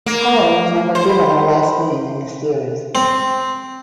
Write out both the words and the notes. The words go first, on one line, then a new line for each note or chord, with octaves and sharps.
Polly was never given a last name in the series.
A3 A#3
C5
B5
C4